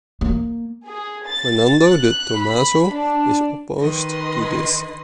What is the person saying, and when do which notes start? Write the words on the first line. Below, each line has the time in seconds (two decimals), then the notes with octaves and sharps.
Fernando de Tomaso is opposed to this.
0.21 A#3
0.87 G#4
1.27 A6
1.88 F#6
2.40 B5
2.92 D4
3.78 D#3 B4 D#5 C6